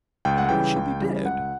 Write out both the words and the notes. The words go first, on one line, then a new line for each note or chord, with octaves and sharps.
"How can she be dead?"
C#2 G5
F#5
C#3 E3 G3 G5
C#2
C#3 E3 G3
C#2 F#5